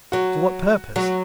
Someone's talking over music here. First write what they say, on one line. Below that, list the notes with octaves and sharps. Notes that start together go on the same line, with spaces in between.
To what purpose?
F#3 F#4
F#3 F#4